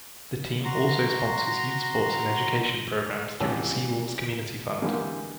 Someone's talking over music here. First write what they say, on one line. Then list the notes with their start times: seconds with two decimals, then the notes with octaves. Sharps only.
The team also sponsors youth sports and education programs through the SeaWolves Community Fund.
0.65 F#4 A#5 C6
3.40 C2 E3 G#3 C#4 A5 E6
4.82 D3 E3 G3 G#3 A#3